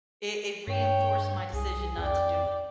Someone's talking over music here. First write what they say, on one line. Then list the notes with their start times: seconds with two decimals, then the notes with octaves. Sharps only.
it it reinforced my decision not to do it.
0.67 G2 C#5 G5
1.53 C2 G#4
1.97 F2 D5 G5